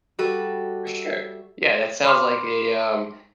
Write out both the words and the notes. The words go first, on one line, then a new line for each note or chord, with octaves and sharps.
For sure. Yeah, that sounds like a, um,
G3 F#4 A4 B4
E5
B5 C6 D6 F6